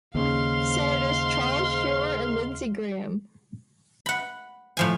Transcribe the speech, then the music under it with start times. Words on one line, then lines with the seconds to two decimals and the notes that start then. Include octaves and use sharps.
Senators Charles Schumer and Lindsey Graham.
0.15 D#2 G#2 C#3 F5 C6 F6
4.06 F#5 B5
4.77 A2 F3 G#5